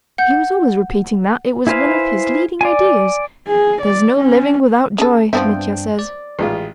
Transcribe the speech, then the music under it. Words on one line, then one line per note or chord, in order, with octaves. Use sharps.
He was always repeating that, it was one of his leading ideas.... 'There's no living without joy,' Mitya says....
F#5 G6
E4 G#4 B4 C5 F5
D5 G#5
G#4
D5
C#4
C#4 G#4 A4
G2 F3 B3 C4 D4 E5 G5
D5
A1 G#3 F4